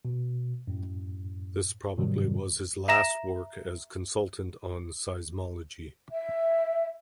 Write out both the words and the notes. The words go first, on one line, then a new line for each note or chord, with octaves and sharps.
This probably was his last work as consultant on seismology.
B2
F#2 A2
G#2 C3 D#3 F#3 G3
E5 A#5 A#6 E7
E5